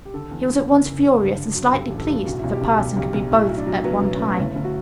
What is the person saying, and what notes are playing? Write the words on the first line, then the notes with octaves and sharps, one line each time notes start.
He was at once furious and slightly pleased, if a person could be both at one time.
G4
D3 A4
E2
E2
F#1
F#1
F#1
G2
D3
F#3
G2 A4
A1 G4
A4
G2
B1 F#4
E4
B1
G4
B1 A4
B1 G4
B1 G4
B1
A2 E4
F#3
D4
F#3
F#3 B3
B1
C#4
A3 B3
C#4
G1 E4
G1
F#4